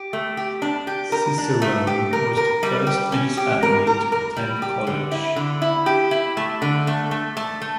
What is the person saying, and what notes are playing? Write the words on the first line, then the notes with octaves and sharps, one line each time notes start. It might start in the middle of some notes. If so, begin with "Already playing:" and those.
Cicerone was the first in his family to attend college.
Already playing: G4
A3
G4
D4
G4
A#4
D4
A3
G4
A#4
A#4
G3
G4
C#4
G4
A#4
A#4
A#4
G3
G4
D3
E4
D3
E4
G4
E4
A3
D3
A3
A3
A3
A3